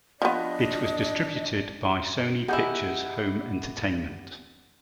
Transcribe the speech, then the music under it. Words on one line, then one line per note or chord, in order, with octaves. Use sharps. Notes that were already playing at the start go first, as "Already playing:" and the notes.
It was distributed by Sony Pictures Home Entertainment.
F3 B3 D4 D#5
G#3 D#4 E4 G4 F#5 G6